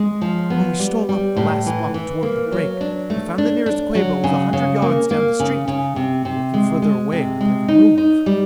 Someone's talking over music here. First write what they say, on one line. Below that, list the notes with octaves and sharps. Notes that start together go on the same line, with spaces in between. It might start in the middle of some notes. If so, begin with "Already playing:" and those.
When we stole up the last block toward the break we found the nearest Quabo was a hundred yards down the street--and working further away with every move.
Already playing: G#3
F3
B3
G3
G3
A2
E3
E3
A#3
F#3
D4
A3
D4
D4
F#3
C#3
C#3
A#3
A#3
C#3
C#3
C3
C3
G#3
G#3
C3
G#3
D#4
D#4
G3